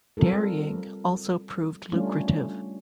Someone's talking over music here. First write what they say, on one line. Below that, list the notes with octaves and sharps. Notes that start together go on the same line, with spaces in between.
Dairying also proved lucrative.
G3 C4 F4 A4 A#4
G3 A3 C#4 D4 F4